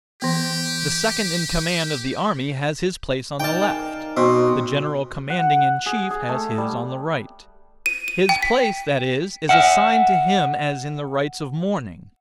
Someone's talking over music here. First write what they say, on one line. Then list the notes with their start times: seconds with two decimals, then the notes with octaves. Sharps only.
The second in command of the army has his place on the left; the general commanding in chief has his on the right;--his place, that is, is assigned to him as in the rites of mourning.
0.22 E3 B3 G4
3.40 D#4 D5 F5 G5 A5
3.61 A#4 F5 G#5
4.17 B2 C4 A#4
5.30 F#5
5.86 G#4
6.10 G#4
6.29 A3
6.58 G3
7.86 D#7
8.08 D#7
8.29 G5
8.43 B6
9.49 E5 F#5